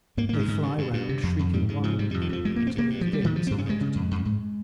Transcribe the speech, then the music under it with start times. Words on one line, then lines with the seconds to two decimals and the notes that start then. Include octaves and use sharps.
They fly round shrieking wildly until they have gained some altitude.
0.17 G#2 A#3
0.29 G#2 A#3
0.40 G#3
0.48 G#2
0.63 G2
0.78 G2
0.93 G2
1.09 C3
1.23 F2
1.39 F2
1.53 G#2 G3
1.69 G#2 G#3
1.83 G#2 F3
1.99 C3 G3
2.11 F2 G3
2.21 D#3
2.29 F2 F3
2.45 G2 G#3
2.56 G2 A#3
2.67 C4
2.75 G2 A#3
2.90 G2
3.01 G2 F3
3.13 G3
3.21 G2 D#3
3.35 G2 F3
3.47 G2 C4
3.58 C#4
3.65 G2 G#3
3.81 C#3
3.95 F2
4.11 F2
4.25 G#2